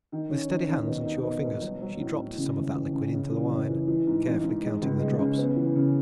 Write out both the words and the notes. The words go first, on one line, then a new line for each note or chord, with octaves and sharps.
With steady hands and sure fingers, she dropped some of that liquid into the wine, carefully counting the drops.
D#3
C#4
D#3
D#2
B2
D#4
B2
B2
F#3
F#3
A2
A2
C#3
G#1
E3
C#3
C#3
E3
F#1
E3
E3
G#2
A1
G#2
G#3
C#2
G#3
C#3
B3
E3
C#3